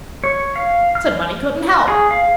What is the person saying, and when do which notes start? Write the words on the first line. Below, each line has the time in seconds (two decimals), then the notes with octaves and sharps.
Said money couldn't help.
0.24 C#5
0.56 F5
0.95 F6
1.88 G#4
2.11 F5